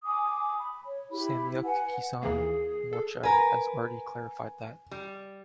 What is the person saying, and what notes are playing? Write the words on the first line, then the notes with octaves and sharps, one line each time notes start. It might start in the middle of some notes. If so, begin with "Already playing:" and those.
Samyukt Kisan Morcha has already clarified that.
G#5 D6 D#6
B5
C#5
E4 G4 B5
B4 F#5 G#5
D#2 E3 A#3 G#4
A4
A#4 B4 G#5
G3